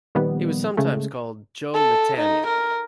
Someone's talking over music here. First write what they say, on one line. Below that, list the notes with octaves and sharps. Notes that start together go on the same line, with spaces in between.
He was sometimes called "Joe" Lentaigne.
A#2 D#3 F3 G3 B3
C#3 G#3 A3
A4
D#4
A#4